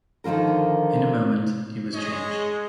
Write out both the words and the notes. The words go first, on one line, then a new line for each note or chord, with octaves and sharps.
In a moment he was changed.
D3 D#3 F3 F4 A#4
G#3 G#4 C#5 D#5